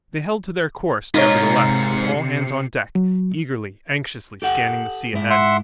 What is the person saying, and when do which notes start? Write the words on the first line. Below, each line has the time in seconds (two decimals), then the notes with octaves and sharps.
They held to their course, nevertheless, with all hands on deck, eagerly, anxiously scanning the sea ahead.
1.14 G#2 C3 D#4 F4 A#4 C#5 C7 C#7
2.95 F#3
4.42 G4 A4 F#5
5.13 G#2 E4
5.30 E5 F#5 C6